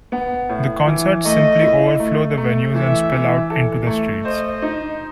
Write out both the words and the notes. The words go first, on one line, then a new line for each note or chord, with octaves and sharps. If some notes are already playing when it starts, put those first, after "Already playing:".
The concerts simply overflow the venues and spill out into the streets.
B3
A2
E3
A3 D#5
E4
A3
A3
E3 E5
E3
A4
A3
C5 D#5
D#4